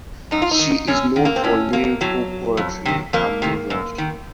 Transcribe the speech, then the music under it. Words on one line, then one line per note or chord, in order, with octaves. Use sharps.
She is known for lyrical poetry and novels.
F#2 D#4
F4
D#4
D#3
F#2 C#4
D#3
A#3
C4
A2 C#4
A#3
A2 F#3
F2
C3 D#3
F2 A#3
C3 D#3
F#2
D#3